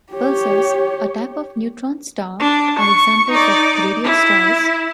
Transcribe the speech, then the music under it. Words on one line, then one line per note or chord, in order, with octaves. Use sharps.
Pulsars, a type of neutron star, are examples of radio stars.
G4 C#5
D4
C#6
D#4 D5
E4